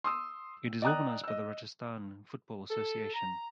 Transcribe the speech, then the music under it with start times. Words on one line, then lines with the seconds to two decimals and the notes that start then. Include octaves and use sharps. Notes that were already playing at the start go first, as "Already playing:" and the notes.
It is organised by the Rajasthan Football Association.
0.04 C6 D#6 E6
0.82 D5 D#5 G5 A#5 D#6 F#6
1.24 D#5 E6
2.69 A4
3.14 A#5